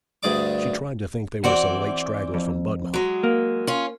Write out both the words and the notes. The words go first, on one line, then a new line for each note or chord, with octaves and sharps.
She tried to think they were some late stragglers from Budmouth.
D2 G2 G#4 D5 D6
E3 C4 F#4 D5
F2
F#3 G#3
A#3
C#4 F4